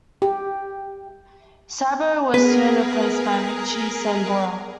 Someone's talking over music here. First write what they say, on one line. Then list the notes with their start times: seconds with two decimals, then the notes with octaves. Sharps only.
Sabo was soon replaced by Richie Sambora.
0.22 G4
2.34 B3 G#4 A#4 B4